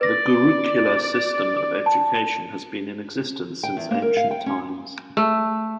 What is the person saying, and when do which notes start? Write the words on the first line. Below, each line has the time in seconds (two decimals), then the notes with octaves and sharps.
The gurukula system of education has been in existence since ancient times.
0.01 B4 D5 A#6
1.86 A5
3.63 G5
3.77 E2
3.91 A#3
4.02 A#4
4.17 F5
4.31 G5
4.46 C#4
5.17 A3